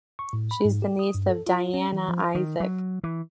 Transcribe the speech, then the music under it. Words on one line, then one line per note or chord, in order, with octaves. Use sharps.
She is the niece of Diana Isaac.
C#6
A2
B5
G#2
G4
D#6
G2
A4
F4
C#4
E3
F3
D#3
F#3
E3